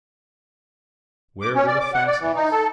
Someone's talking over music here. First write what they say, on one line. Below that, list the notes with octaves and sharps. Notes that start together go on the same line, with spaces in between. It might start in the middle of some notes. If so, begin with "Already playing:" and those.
Where were the fastenings!
D6
C#4
D5
D6
F#5
D5
E3
D#4
A4